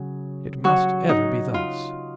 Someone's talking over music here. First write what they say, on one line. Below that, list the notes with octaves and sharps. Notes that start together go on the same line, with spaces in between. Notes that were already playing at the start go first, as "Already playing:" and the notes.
It must ever be thus.
Already playing: C#3 F#3
F#3 F#4
D#4
F4